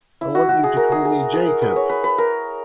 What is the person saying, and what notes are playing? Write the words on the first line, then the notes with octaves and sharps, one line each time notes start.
I want you to call me Jacob.
E4
F#4
F#4
G#4
A#4
G#4
G#4
G#4
A#4
B4
C#5
B4
B4
A#4